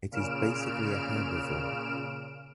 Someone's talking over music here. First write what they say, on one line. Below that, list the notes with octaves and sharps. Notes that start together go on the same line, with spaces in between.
It is basically a herbivore.
A#2 C#3 F6 D7 E7